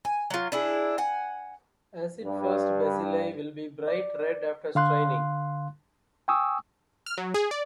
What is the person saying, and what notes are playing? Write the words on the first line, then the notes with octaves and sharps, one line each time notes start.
Acid-fast bacilli will be bright red after staining.
G#5
F#3 F4
D4 E4 G#4
F#5 G#5
G2
D5
D3 F5 C6 F#6
G5 G#5 C#6 D#6 E6
F6
F#3
G#4
D5